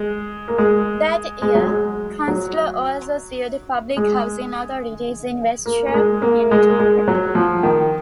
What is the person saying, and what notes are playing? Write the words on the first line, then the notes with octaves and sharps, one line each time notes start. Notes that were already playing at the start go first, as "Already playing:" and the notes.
That year Kunstler also sued public housing authorities in Westchester County.
Already playing: G#3
A#3
G#3
G#3
F#3
G#3
F#3
G#3
A#3
A#3
G#3
A#3
G#3
A#3
G#3
F#3
F3
D#3